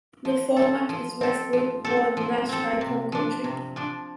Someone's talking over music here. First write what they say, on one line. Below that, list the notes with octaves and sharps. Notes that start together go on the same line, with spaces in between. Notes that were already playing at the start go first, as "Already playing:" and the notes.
The format is Westwood One "Nash Icon" country.
F3
C4 A4
F3
C4 A4
F3
C4 A4
F3
C4 A4
C3
F3 D4
C3
F3 D4